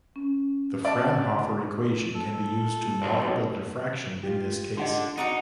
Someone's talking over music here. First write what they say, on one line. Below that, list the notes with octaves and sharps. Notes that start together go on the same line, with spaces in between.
The Fraunhofer equation can be used to model the diffraction in this case.
C#4
D5 A5
A4
B1
F4 G4
D3 D#5 F#5 C6
D4 D#4 F#4 A#5